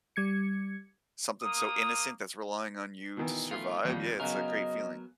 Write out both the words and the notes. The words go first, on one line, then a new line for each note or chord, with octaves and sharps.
something so innocent that's relying on you to survive, yeah, it's a great feeling.
G3 G#6 C#7
A#3 D#6
B2 D#3 E3
A3 F4
A#1 F2 D#3 G3
C#3 F#3 B3 A#4 D#5